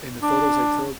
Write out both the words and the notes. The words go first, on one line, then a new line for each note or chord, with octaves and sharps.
and the photos I took
D4